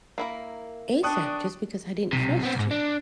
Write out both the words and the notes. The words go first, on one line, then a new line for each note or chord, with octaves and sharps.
ASAP just because I didn't trust you.
A#3 E4 A#4
D4 D5 G5 A5 C#6 D#6 F#6
B1 C3
B3 C4
B1 G#2
D4